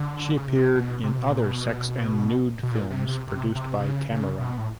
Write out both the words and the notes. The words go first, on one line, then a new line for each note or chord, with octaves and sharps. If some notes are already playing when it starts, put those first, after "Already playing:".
She appeared in other sex and nude films produced by "Kamera".
Already playing: D3
C#3
C3
B2
C3
B2
A#2
B2
B2
A#2
C3
C3
C3
C3
C3
C#3
C#3
B2
A2